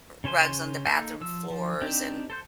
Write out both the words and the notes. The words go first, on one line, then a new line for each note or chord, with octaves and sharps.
rugs on the bathroom floors and,
C#3 C#4 C5 G#5 C6
A#3 D#4 A4 E6 G6
F3 E6
F3
C4 D4 D#4 G4
A4 C5 G6